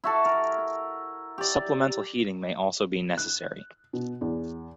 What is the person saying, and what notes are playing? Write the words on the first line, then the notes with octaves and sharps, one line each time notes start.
Supplemental heating may also be necessary.
E4 F#4 A4
A#4
G4 D5
F#6
B2
E2